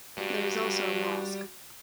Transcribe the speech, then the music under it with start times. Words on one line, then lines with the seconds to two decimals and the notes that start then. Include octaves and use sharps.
There is also a mosque.
0.18 G2 G3 F#4